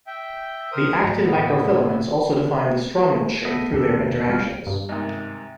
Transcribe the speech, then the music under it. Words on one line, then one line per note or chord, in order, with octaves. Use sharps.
The actin microfilaments also define the stromule shape through their interactions.
E5 G5
A#4 C5 D#6
F2 G#2 F#3 A#5
A2 D3 A#3 B3 E4
A3 B3 D#5
E2 D#3 B3 D4 A4
G3 A3 B3 C4 F4
G2
G#2 C3 D#3